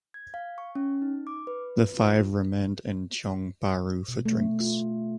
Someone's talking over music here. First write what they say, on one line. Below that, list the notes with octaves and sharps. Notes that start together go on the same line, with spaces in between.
The five remained in Tiong Bahru for drinks.
G#6
F5
C#6
C#4
D#4
D6
B4
B4
F4
B2
A3
F4